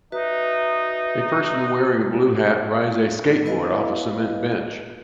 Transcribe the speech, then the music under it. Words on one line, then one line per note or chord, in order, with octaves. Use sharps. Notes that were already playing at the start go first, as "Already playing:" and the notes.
A person wearing a blue hat rides a skateboard off of a cement bench.
D#4 F#4 B4 E5
B3 E4 B4 D#5 F5